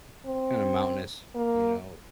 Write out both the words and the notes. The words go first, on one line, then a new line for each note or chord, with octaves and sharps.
kinda mountainous, you know.
C4
A#3